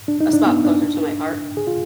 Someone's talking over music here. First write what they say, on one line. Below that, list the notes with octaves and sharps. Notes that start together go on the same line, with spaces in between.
a spot closer to my heart.
D4
D#4
D4
B3
D4
G#4
F4